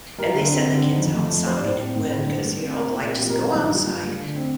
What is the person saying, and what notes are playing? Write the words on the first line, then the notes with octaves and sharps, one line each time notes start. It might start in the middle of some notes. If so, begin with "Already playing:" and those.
and they sent the kids outside when 'cause, you know, like "Just go outside,
G3 A#4
D3
C4
D3
D#3
F2
A3
F2
G3 C5
D5
A2
C5
C4
A2
D3 C5
G2
A3
C4
A3 A#4
A#4
A#2
D5
C4 A#4
G4
A#2
A#4
D#3 C5
F4
G2
D#4
G3 F4
G2
A3
D3
C4